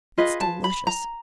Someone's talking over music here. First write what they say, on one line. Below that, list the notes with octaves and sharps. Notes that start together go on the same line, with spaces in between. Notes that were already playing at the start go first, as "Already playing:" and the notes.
It's delicious.
F4 G#4 B4 D#5
A5
B5
A#5